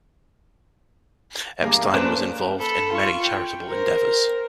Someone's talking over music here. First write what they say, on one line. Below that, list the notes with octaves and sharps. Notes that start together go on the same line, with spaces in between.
Epstein was involved in many charitable endeavors.
G2 A#3 G#4 D6
C#4 D4 A4 B4 C5
A4 B5
F4 C#6
G5
A#4 C5